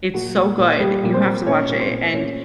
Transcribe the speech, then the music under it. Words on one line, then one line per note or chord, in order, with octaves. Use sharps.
It's so good, you have to watch it and
A#2 F#3 F#4
A#2
A#2
A#2 G3 G4
A#2
C4 C5
A#2
A#2 C#4 C#5
A#2
C4 C5
A#2
A#2 C#4 C#5